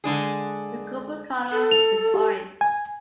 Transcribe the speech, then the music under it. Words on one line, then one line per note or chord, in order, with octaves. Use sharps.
The corporate colour is orange.
D3 G#3 D4 G#4
A4
F7
G4
G#5